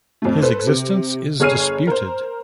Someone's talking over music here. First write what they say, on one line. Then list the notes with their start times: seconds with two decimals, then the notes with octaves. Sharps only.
His existence is disputed.
0.22 F2 A3
0.42 A4 B4 C5
0.67 C3
1.40 G1 G#4 C#5 F6 C7 D#7
1.87 A#4 C5